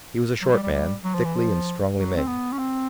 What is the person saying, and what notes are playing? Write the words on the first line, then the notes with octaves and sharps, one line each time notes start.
He was a short man, thickly and strongly made.
F#3
G3
G3
G3
F#3
F3
E3
F3
F#3
C4
B3
C#4
C4